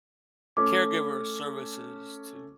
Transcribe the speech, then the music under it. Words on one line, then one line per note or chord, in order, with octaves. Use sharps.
caregiver services to
A3 C#4 D6